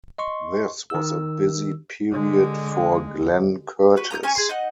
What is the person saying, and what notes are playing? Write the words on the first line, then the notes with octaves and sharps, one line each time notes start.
This was a busy period for Glenn Curtiss.
D#5 C6 C#6
D#3 E6
D3 G#3
F#4 B4
A#5 D#6 E6 G6
C#4 G#5 C#6
G#4 C6
D#4 D#5 F#5